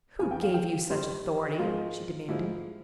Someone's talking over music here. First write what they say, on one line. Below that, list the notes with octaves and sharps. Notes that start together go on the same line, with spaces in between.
"Who gave you such authority?" she demanded.
F2 C#3 E3 G#5
G5
F5
G5
G2 G3 C5
G#2 F3 G#3 F4
G#2 F3 G#3 E4